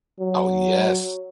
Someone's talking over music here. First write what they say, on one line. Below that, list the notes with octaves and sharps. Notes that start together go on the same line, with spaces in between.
Oh, yes.
F#3